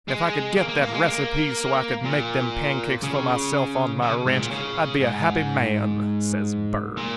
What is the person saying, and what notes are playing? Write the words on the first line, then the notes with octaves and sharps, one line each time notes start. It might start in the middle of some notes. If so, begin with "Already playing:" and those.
If I could get that recipe, so I could make them pancakes for myself on my ranch, I'd be a happy man,' says Bird.
G#3
A#3
A#3
A#3
G#3
A#3
A#2
C#3
C#3
G#2
A#2
C#3
G#2
A#2